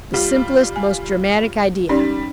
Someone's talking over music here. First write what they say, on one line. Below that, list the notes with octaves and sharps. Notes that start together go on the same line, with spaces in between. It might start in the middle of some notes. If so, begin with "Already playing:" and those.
The simplest, most dramatic idea.
G3 F4
G#5
G3 C#4 D#4 D5